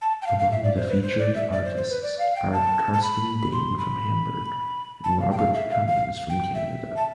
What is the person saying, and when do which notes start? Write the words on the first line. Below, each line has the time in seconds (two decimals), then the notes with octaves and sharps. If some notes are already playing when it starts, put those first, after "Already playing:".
Among the featured artists are Carsten Dane from Hamburg, and Robert Cummings from Canada.
0.02 A5
0.22 G5
0.26 F5
0.39 F5
0.52 E5
0.64 D5
0.77 C5
0.89 B4
1.02 C5
1.19 D5
1.35 E5
1.52 D5
1.65 C5
1.77 C5
1.90 B4
2.03 D5
2.19 F5
2.36 G5
2.53 A5
2.94 A5
3.03 B5
3.53 C6
3.78 B5
5.04 A5
5.21 F5
5.31 G5
5.38 F5
5.54 E5
5.71 F5
5.87 F5
6.30 G5
6.55 E5
6.96 A5